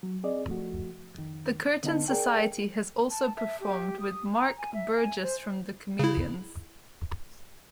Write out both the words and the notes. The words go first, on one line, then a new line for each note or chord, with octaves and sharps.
The Curtain Society has also performed with Mark Burgess from The Chameleons.
F#3
C4 G#4 D5 D#5
F3 A3 F#4
F2 D#3
D3 B3 D#4 D#5 A5
G#4 A#4 D5 G5
A5
E5
G4
D#6
A#5
G#5
E5
G#5
C5
C#3 E4